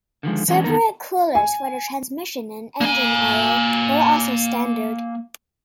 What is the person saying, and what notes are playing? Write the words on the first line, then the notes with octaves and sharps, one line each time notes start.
Separate coolers for the transmission and engine oil were also standard.
D3 D#3 F3 G#3
E3 F#3 G#3 B3 C#4 D4
D#3 E3 B3 D#4 A#4
G#5
A#3 G#5